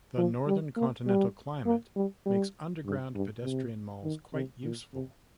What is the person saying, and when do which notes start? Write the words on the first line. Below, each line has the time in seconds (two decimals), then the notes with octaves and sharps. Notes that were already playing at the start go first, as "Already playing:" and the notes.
The northern continental climate makes underground pedestrian malls quite useful.
0.18 F3
0.47 G3
0.76 A#3
1.06 G3
1.65 A#3
1.96 G3
2.26 G3
2.85 G2
3.15 G2
3.44 C3
4.04 D#3
4.34 C3
4.64 A#2
4.93 C3